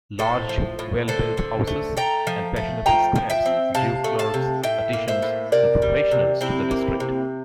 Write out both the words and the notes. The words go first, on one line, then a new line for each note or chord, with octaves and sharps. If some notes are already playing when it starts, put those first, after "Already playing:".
Large well-built houses and fashionable squares drew clerks, artisans and professionals to the district.
A2 A4 C5
F3
A2
D3 A4 C5
D3
A3
A3 G5 A#5
F3
A3
F3 G5 A#5
F3
E5 G5
C4
C3 F5 A5
A3
F5 A5
C3
A2 E5 G5
A#3
C5 E5
A2
C3 A#4 D5
G3
C3
C3 C4 E4
A#3
C3